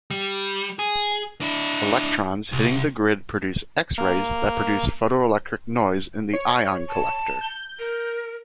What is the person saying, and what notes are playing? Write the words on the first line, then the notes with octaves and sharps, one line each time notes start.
Electrons hitting the grid produce X-rays that produce photoelectric noise in the ion collector.
G3
G#4
D4 E4
C2
A#3
C#5
A5
G6
A#4